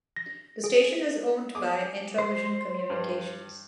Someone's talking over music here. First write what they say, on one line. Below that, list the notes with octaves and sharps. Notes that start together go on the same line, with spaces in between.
The station is owned by Entravision Communications.
A#6
G#4
G#4 D6 D#6
C5
G2